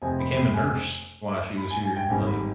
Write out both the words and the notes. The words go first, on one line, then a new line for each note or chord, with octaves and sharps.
became a nurse while she was here, like
F1 F2 C3 G#5
B5
B5
G#5
B5
G#5
G#5
G5
G#1 G#2 G3 G#5
B5